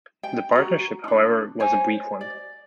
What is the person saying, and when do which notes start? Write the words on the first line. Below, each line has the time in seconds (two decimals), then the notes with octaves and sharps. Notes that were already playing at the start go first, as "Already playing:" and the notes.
The partnership, however, was a brief one.
0.23 G5
0.52 F#4 A#5
1.04 D4 D#4
1.60 C5 C#5 G#5
2.21 D5